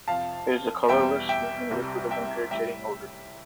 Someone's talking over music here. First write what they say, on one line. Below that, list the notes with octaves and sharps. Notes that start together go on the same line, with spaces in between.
It is a colourless, fuming liquid with an irritating odour.
F2 C3 F3 F5 A5
E2 B2 G3 E5 G5
E5 G5
C2 C3 G3
E5 G5
A2 G3 E5 G5